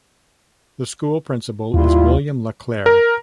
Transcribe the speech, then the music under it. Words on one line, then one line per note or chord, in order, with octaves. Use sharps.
The school principal is William LaClair.
D#2 G3 E4 F4
A#4